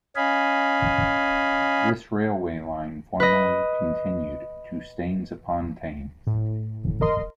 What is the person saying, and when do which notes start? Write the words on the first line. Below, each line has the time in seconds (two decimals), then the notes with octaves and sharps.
This railway line formerly continued to Staines-upon-Thames.
0.16 C#4 D#5 F5 G#5 B5
3.20 B4 D#5
6.27 A2
7.01 A#4 D#5 C6